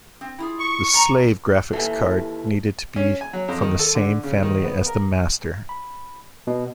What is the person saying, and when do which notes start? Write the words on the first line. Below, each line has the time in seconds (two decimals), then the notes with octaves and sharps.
The "slave" graphics card needed to be from the same family as the "master".
0.21 C4
0.38 E4 F4 G#4
0.59 C#6
0.94 A5 A#5
1.73 D#2 E3 A4 G#5
2.96 C#4
3.21 G#5
3.33 F#3
3.48 F2
3.62 D#3
3.79 A4
3.95 D3
4.23 C#3
4.43 D#3
4.64 B3
4.87 A#4
5.69 B5
6.47 B2